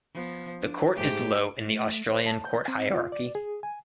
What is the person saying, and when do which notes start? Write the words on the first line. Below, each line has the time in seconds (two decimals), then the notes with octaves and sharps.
The court is low in the Australian court hierarchy.
0.14 F3 B3
0.61 D4
0.94 G#2 A3 G4
1.67 A3
2.13 C5
2.26 A5
2.45 G6
2.68 C4
2.93 F4
3.12 D5
3.35 G#4
3.63 G#5